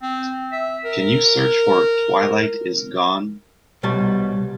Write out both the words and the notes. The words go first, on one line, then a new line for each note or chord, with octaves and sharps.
Can you search for Twilight Is Gone?
C4
E5
A#4
C2 B2 G3 C#5 A5